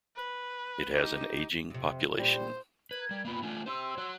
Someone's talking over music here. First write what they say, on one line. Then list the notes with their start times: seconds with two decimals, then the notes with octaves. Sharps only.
It has an ageing population.
0.16 B4
0.94 D#4 G4
1.70 F2 C3
2.19 A#2 G3 C5
2.91 A#4 B4 G#6
3.11 G3
3.25 A#3 B3 F4 B5
3.43 A3 D4 F4 G#5
3.66 G4 C5 C6 E6
3.98 F#4 C#5